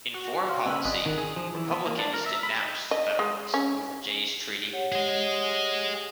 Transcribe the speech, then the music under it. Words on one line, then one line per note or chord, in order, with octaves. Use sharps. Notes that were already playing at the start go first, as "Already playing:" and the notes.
In foreign policy, Republicans denounced the Federalists over Jay's Treaty.
F#4
F5 C6 F6
A#2 C#3 C4 G#5 B5 E6 F#6
G#1 D5 D#5 G#5 B5 D#6 F#6
D#3
G#4
F3
E3
B3
A#3
D4
A#4
E5
B5
D#4
D#5
G#3
C#4
G4 C#5 F#5
G#4 D#5